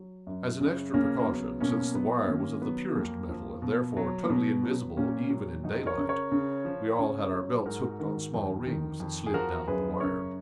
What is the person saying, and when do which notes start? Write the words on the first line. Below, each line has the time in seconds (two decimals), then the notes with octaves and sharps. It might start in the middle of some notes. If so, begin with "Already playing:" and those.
As an extra precaution, since the wire was of the purest metal, and therefore totally invisible, even in daylight, we all had our belts hooked on small rings that slid down the wire.
Already playing: F#3
0.27 F#2
0.61 C#3
0.94 C#3 A#3 C#4
1.19 A#3
1.27 F#3 B3
1.60 B2 A#3 C#4
1.94 F#3 B3
2.22 B3
2.28 D#3 A#3 C#4
2.62 F#3 B3
2.95 F2 A#3
3.29 F3
3.62 B2
3.97 F#3
4.23 A#3
4.30 B2 B3
4.63 F#3
4.97 A#2 A#3 C#4
5.30 F#3
5.64 F2 D#4 F#4
5.86 A#4 C#5
5.98 C#3
6.09 A#4 C#5
6.32 C#3
6.65 F3
6.99 C#3
7.32 F#3
7.66 G#2 F#4 A#4
7.99 D#3 F#4 A#4
8.34 F2
8.66 D#3
9.00 F2
9.26 G#4
9.34 F3 F#4 A#4
9.67 F#2 G#4 B4
10.01 C#3 A#4 C#5